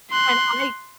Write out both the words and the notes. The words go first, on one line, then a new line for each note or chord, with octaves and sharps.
and I
C6 F#6